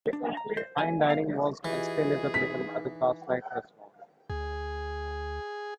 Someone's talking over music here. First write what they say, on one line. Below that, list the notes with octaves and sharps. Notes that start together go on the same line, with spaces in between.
Fine dining was and still is available at the Gaslight Restaurant.
D4
A#5
C5
G#5
F5
E3 F4 G4 G#4 D#5
D#4 B6
D2 G#4